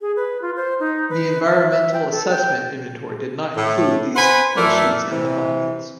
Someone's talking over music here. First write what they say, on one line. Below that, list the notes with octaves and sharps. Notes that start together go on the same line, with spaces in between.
The Environmental Assessment inventory did not include these species in the findings.
G#4
B4
F4
C5
D#4
B4
E5
E5
G5
A4
G5
A2
B4 C5 F#5 G#5 B5 C6
F#2 E3 A3 E4 A#4 D5
C3 E3